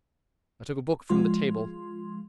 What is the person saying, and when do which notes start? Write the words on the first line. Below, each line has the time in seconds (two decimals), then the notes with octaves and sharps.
I took a book from the table.
1.09 F3 G#3 F4 C6